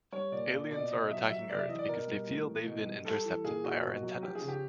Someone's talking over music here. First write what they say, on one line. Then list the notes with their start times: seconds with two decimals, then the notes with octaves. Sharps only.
Aliens are attacking Earth because they feel they've been intercepted by our antennas.
0.12 G3 C#5
0.32 A#2 D5
0.51 A#2
0.71 B2 D5
0.91 B2 D#5
1.11 F#3 E5
1.30 F#3 E5
1.49 C3 D5
1.58 E5
1.69 E3 D#5
1.78 D5
1.88 B2 A#4
2.07 G3
2.27 A2
2.47 E3
2.66 B2
2.86 G3
3.05 G3 A4
3.25 E3
3.44 A#2 G#4
3.63 A#2 F#4
3.83 B2
4.03 F#3
4.22 F3 G4
4.35 G#4
4.41 C#3
4.48 G4